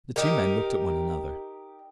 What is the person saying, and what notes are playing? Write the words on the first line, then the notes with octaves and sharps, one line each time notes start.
The two men looked at one another.
D#4 G4 A#4